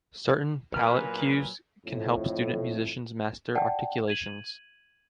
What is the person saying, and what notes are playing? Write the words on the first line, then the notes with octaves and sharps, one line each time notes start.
Certain palate cues can help student musicians master articulations.
A#2 F#3 A#4 B4 G#5 F6
F2 A2
D5 F#5 G5 A5
G#6 D#7 F#7